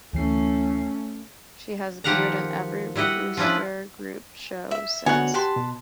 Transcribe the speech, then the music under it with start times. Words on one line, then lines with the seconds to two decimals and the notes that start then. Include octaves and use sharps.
She has appeared in every Wooster Group show since.
0.13 D2 E3 A3 C#4 C7
2.04 D#3 F3 G4 F5 F#5 A#5
2.96 G3 E4 F#4 D#5 F#5
3.37 F3 C#4 D4 E4 B4
4.71 E5
5.06 B2 D3 B3 F#4 C#5 F#5 G#5
5.34 G4 B4 A5 C6
5.56 B2